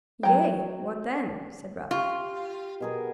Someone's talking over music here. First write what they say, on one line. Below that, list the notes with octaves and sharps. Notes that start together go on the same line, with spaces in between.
"Yea, what then?" said Ralph.
F#3 G5
F4 G4
B2 G#4 A#4